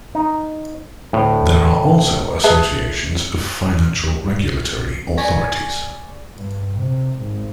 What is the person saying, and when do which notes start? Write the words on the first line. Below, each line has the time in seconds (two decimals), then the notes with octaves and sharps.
There are also associations of financial regulatory authorities.
0.15 D#4
1.13 D2 A2
2.43 G#4 B4 E5 A5
5.17 D5 G#5 C#6 G#6 A#6 B6
6.36 G2
6.76 C3
7.17 G#1